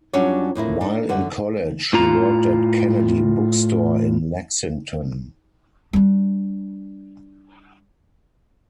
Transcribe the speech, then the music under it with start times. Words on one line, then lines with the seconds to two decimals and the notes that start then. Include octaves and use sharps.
While in college, he worked at Kennedy Book Store in Lexington.
0.13 F2 F#3 G3 C#4 D4 C#5
0.55 F2 A2 E4 A#4
0.81 D4 D#4
1.09 F#2 D3 F#5
1.93 A2 F4 A#5
5.93 G3 D4